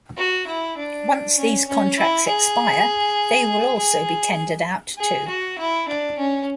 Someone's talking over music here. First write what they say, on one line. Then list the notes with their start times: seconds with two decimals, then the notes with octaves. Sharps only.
Once these contracts expire, they will also be tendered out too.
0.17 F#4
0.47 E4
0.78 D4
1.37 C#4
1.68 C#4
1.98 E4
2.27 G#4
3.77 G#4
4.98 G#4
5.27 F#4
5.58 E4
5.88 D4
6.18 C#4